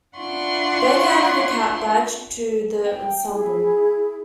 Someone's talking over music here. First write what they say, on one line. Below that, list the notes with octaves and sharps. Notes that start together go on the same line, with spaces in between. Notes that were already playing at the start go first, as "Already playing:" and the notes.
Baker added a cat badge to the ensemble.
D4 E4 F4 F#5 C6 C#6
G5
E4 G#4